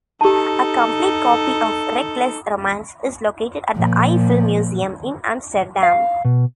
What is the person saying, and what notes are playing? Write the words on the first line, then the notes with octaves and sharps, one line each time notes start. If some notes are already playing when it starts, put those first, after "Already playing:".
A complete copy of "Reckless Romance" is located at the Eye Filmmuseum in Amsterdam.
D#4 G4 A4 A5
A#2 F3
F5
B2